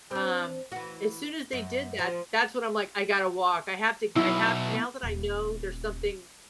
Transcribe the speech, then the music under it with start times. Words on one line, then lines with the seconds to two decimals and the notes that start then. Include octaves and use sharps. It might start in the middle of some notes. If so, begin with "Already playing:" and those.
um, as soon as they did that, that's when I'm, like, I gotta walk. I have to g I have now that I know there's something,
0.11 C4 D4
0.72 E3 F#4
1.53 F#2
1.99 F3
4.16 B1 B2 E4
5.03 D#1